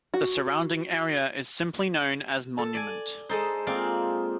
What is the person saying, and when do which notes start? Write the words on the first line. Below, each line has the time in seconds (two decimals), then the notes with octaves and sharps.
The surrounding area is simply known as Monument.
0.14 F#4
2.58 A4
2.74 D5 G#5
3.29 G#3 D#4 A4 C5
3.67 G#3 A#3 C4 F4 D5 F5